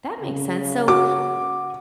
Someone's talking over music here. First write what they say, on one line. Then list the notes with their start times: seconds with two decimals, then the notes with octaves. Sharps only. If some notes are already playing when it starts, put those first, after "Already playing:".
That makes sense, so
0.23 C#3
0.88 F#4 D6